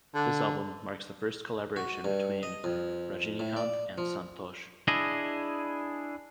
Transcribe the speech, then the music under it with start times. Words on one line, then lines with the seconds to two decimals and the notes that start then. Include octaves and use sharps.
This album marks the first collaboration between Rajinikanth and Santhosh.
0.14 D3
1.76 F#4
2.04 G2
2.43 D#5
2.64 F2
3.40 A2
3.56 D5
3.98 F3
4.88 D4 E4 G#4 D#5